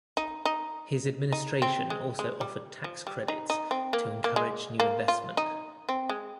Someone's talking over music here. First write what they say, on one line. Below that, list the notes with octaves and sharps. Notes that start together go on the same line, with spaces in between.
His administration also offered tax credits to encourage new investment.
D#4
D#4
D#4
C4
G#3
G#3
G3
F3
G3
D#4
D#4
C4
A#3
A#3
G#3
A#3
F4
D#4
C4
G#3